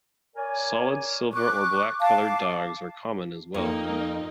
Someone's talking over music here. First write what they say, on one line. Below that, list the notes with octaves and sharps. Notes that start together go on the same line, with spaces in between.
Solid silver or black coloured dogs are common as well.
A#4 C#5 D5 G#5
C#6 D6 F#6
F5 A5 D6
F2 A#3 D#4 D#5